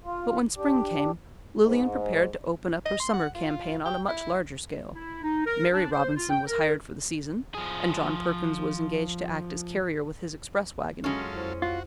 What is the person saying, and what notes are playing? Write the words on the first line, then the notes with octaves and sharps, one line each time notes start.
But when spring came Lilian prepared to open up her summer campaign on a much larger scale. Mary Robinson was hired for the season, and John Perkins was engaged to act as carrier with his express wagon.
F4
D4 G4
G#2
D#5
C6
F#5
F4
G5
E4
E4
D#4
A#4
D4
C5
F4
G5
A#4
F3 G#4
F#2 G#3 C#4 F4 A4
F2 E4 C5
F4 F#4